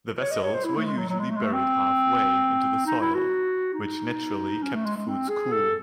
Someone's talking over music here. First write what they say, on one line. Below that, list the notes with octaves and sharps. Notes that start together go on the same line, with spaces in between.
The vessels were usually buried half-way into the soil which naturally kept foods cool.
C#5
D#5
C#5
C5
E4
A3
G#3
F#3
F#3
G#3
A3
G#3
A3
C4
D#4
E4
F#4
D#4
C#4
A3
G#3
G#3
C4
G#4
A4